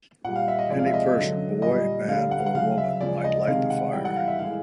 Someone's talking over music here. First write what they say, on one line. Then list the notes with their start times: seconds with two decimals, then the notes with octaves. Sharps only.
Any person, boy, man, or woman, might light the fire.
0.24 A#2 G3 F#5
0.36 F5
0.48 E5
0.59 D#5
0.70 C3 F3 G#3 D5
0.79 F5
0.86 E5
0.94 D#5
1.17 D3 F#3
1.62 A#2 G3 D#5
2.08 D3 G3 F5
2.31 F#5
2.39 F5
2.46 F#5
2.55 C#3 F#3 F5
2.78 E5
3.01 C#3 F3 G#3 D5
3.24 D#5
3.47 C3 D#3 G#3 F5
3.70 F#5
3.93 A2 E3 G3 G5
4.05 F#5
4.16 F5
4.28 E5
4.39 A2 E3 G#3 F5